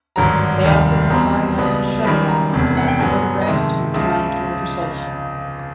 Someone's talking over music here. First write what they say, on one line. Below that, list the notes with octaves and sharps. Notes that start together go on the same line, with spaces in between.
They also have far less shutter lag, allowing photographs to be timed more precisely.
G#1 G2 D3 F#3 A#5
F1 D#2 D#3 G3
E2 B2 G3 C4 A#5
C#2 B2 G3 B3 B5
F#2 D#3 G3 B5
A#5
E1 E2 C3
F#5
G5
G2 D3 F#3 B3 G#5
D#5
F2 C3 D#3 G#3 E5
C#2 C#3 F3 E5